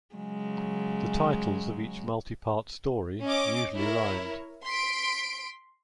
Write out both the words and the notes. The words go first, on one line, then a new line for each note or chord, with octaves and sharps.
The titles of each multi-part story usually rhymed.
C#3 F#3 G#3
C#4 D#5 D6
E4 A#4 C#5
C6 B6 D7